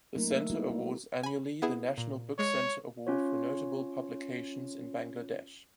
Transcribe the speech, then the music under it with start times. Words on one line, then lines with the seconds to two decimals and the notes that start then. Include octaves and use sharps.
The centre awards annually the National Book Centre Award for notable publications in Bangladesh.
0.16 F#3 A3 A#3 C#4 D#4 A#4
0.30 A3 A#3 A4 A#4 D#5 E5
0.50 G3 A#3 B3 D#4 E4 F#4
0.70 A#3
0.84 G#4
1.23 G#5 B5
1.62 B3 E4 G#4
1.98 A#2
2.39 G#3 C#5
3.07 C#4 F4 C#5